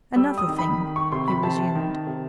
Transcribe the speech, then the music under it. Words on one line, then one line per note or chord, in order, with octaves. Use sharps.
"Another thing," he resumed.
G3 E6
D#6
D#3
B5
D#3
C#6
C3 C6
B5
C3 A5
D#3
C3